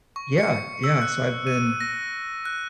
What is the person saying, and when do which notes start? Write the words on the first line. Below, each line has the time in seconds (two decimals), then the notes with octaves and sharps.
Yeah, yeah, so I've been
0.16 C#6
0.38 C#7
0.84 E6
1.02 F#6
1.47 D#7
1.80 A#6
2.45 F#6